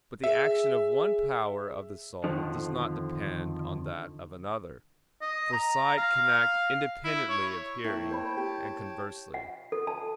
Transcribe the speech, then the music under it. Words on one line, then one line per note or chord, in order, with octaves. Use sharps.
But the action of one power of the soul does not depend on that of another; for sight can act independently of hearing, and conversely.
G#4 E5
F2 D3 D#3 F3
D#5
A#5
F5
E4
C#5
A#3 E4 C#5 G5 A5
C5 B5
G4
F#5
A4
A5